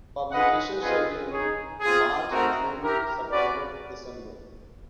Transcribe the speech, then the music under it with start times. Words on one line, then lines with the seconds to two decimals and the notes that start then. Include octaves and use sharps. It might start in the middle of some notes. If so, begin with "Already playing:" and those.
Publication schedule March, June, September, December.
0.32 F4 G#4 B4 D#5 F#5
0.81 C4 F4 G#4 B4 D#5
1.30 D#4 G#4 C#5
1.81 C4 F4 G#4
2.30 A3 C4 D#4 F#4 A#4
2.80 E4 G4 A#4
3.30 C#4 F#4 B4 D5